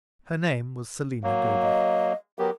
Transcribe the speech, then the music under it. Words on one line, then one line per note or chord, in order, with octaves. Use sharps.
Her name was Selina Goby.
F#3 A#3
D#5
F#3 B3 G4 A#4